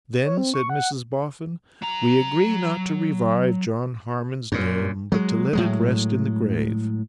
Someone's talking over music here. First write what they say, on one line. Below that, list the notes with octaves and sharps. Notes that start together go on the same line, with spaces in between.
'Then,' said Mrs Boffin, 'we agree not to revive John Harmon's name, but to let it rest in the grave.
C#5
C4
C#6
F#5
F#3 A#5
F#2 A#2
F#3 G#3
A2 F#3 G#3